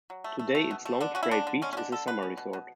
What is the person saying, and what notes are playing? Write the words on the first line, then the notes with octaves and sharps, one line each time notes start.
Today its long straight beach is a summer resort.
F#3
A3
A3
A3
B2
A3
D3 D4
C#4 F#4
E4
D3 D4
D3
G#3 C#4
C#4
D3 D4
D3 A4
D3 B4
C#4
B2
B2